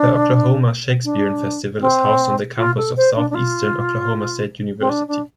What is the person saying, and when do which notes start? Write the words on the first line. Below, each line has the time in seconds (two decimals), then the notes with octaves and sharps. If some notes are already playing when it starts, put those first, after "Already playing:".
The Oklahoma Shakespearean Festival is housed on the campus of Southeastern Oklahoma State University.
Already playing: D4
1.04 D4
1.80 C4
2.57 F4
2.77 A4
2.96 C5
3.15 D4
3.30 D4
3.34 F4
4.80 C4
4.89 D4
5.07 D4